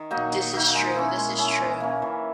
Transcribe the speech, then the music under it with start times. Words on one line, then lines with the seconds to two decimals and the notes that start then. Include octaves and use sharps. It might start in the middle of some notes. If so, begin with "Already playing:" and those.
This is true, this is true.
Already playing: D#3
0.11 F#3 A#3 D#4
0.32 D#3
0.53 F#3 A#3 D#4
0.74 G#3
0.96 C#4 E4
1.17 G#3
1.38 C#4 E4
1.59 E3
1.80 A#3 C#4
2.02 E3